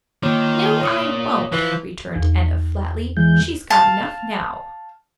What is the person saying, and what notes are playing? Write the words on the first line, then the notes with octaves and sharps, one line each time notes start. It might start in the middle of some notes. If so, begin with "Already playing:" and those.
"No, I won't," returned Enna, flatly; "she's got enough now."
D#3 A#3 F4 C#5 D6
A#2 C#5 D#6 C#7
E3 F3
E2
E3 G#3 G6
F5 A5